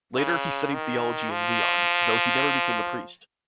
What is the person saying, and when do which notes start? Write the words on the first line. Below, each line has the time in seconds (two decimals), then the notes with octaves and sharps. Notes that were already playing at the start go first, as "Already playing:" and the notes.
Later he studied theology in Lyon, though he never became a priest.
0.15 C#3
0.74 D#3
1.31 F3